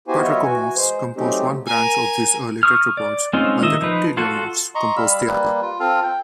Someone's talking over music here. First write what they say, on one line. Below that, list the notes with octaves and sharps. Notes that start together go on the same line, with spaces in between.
Batrachomorphs composed one branch of these early tetrapods, while the reptiliomorphs composed the other.
B3 E4 F#4 G4 C5 G#5
F#3 B3 F4 C#5 D#5 E5
E3 F#4 G#5
G#3 C5
F#3 G#3 A3 C4 D#4 G4
A#4 G#5
C#6 D#6 F6
D5
G#3 C4 C#4 D#4 F4
D#3 D#5 E5
F3 D#4 B4
F4 F#4 A4
D#5 A#5 C6 C#6
G3 F5 B5 E6
G3 A#3 B4
F4
C4 F4 A4 F5
G5